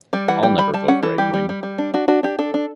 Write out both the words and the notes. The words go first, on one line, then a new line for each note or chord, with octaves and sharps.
I'll never vote right wing.
G3 D5
E3 F#5
G3 G5
G3 B5
G3 A5
C#4 F#5
E3 A4
G3 G4
G3
G3
G3
D4
D4 F#4
D4 F#4
D4 G4
D4 A4
D4